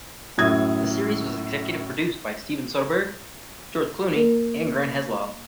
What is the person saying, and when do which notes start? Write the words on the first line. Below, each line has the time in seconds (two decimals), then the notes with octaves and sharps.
The series was executive produced by Steven Soderbergh, George Clooney, and Grant Heslov.
0.38 F#2 A2 D#6 G#6
4.16 A#3 A#4